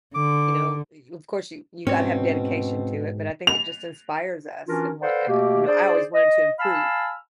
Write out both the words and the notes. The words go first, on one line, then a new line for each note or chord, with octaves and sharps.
you know, y of course you you gotta have dedication to it, but I think it just inspires us and what, uh, you know, I always wanted to improve,
D3 D6
G#2 B2 C4 C#4 C#5
F7
E3 C#4 D4 F4 F#4 A#4
A4 B4 C5 D5 F5 F#5
B2 A3 A#3 G4
D4 G#4 C5 D5
D#5
F5 G#5 A5 B5 E6 F6